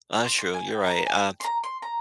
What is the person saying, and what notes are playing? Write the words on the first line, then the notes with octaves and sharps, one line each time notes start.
That's true, you're right. Uh,
C6
C6
G#5
G5
A#5
G#5
C6
A#5
C6
A#5